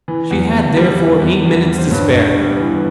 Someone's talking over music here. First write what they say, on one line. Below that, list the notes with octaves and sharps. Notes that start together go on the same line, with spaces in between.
She had, therefore, eight minutes to spare.
E3
E2
E2
G3
E3
E2
E2
G3
C5
G2 C#5
G1
G3
E3